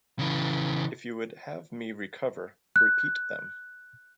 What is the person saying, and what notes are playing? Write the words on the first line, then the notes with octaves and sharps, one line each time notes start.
If you would have me recover, repeat them.
C#3 E3
F#6